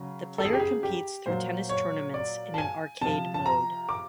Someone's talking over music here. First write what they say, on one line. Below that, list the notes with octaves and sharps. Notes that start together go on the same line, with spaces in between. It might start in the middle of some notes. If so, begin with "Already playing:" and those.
The player competes through tennis tournaments in an arcade mode.
Already playing: C#3 F#3
A4
G#4
G4
G#4
G4
A#2 F#3 C5
C#5
D5
A5
G#5
C3 F3 A5
A5
A#5
D6